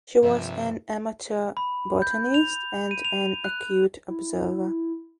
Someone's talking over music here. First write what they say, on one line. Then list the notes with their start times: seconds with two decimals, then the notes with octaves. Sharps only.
She was an amateur botanist and an acute observer.
0.23 A#1 G2 C3 F3 E5
1.57 B5
2.02 G6
2.34 F7
2.91 D#7
3.05 F7
3.44 F#6
4.08 E4